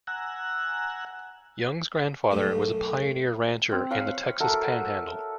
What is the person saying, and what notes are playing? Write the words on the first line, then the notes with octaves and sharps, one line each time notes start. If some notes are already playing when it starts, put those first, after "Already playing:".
Young's grandfather was a pioneer rancher in the Texas Panhandle.
F#5 G#5 A#5 E6 F#6
B1 F#2 A3
C4
B4 C#5 F5 B5
F#4 A4 A#4 E5